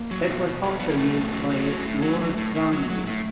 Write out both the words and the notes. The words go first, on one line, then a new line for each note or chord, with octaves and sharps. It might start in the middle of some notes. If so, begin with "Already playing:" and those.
It was also used by Lord Darnley.
Already playing: A#3
F#3
B2
B2
F#3
F#3 B3
A#3
B2 A3
B2
F#3
F#3
A2
A2
F#3
F#3
A2
A2
F#3
F#3
A2